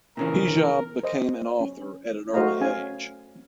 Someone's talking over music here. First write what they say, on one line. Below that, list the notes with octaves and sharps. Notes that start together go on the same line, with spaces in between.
Hijab became an author at an early age.
A#2 C#3 E3 A#4
C5 D#5
C#4
A3 F#4 C5 D#5 F5 A#5
C#4 F5 G#5